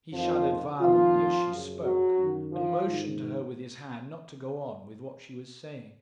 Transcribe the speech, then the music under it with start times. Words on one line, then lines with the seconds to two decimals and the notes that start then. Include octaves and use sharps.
He shuddered violently as she spoke, and motioned to her with his hand not to go on with what she was saying.
0.12 F2 D#3 F3 F4
0.80 F2 D#3 F3 F4
1.49 F#2 C#3
1.83 F#3 F#4
2.18 F#2 D#3
2.51 F3 F4
2.86 G#2 D#3